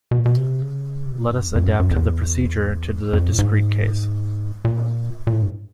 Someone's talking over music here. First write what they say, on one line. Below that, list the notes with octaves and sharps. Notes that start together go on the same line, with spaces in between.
Let us adapt the procedure to the discrete case.
B2
A#2
B2
C3
C#3
C3
B2
G2
F#2
E2
F2
F#2
F#2
F2
E2
F2
A2
G#2
A#2
A#2
A2
G2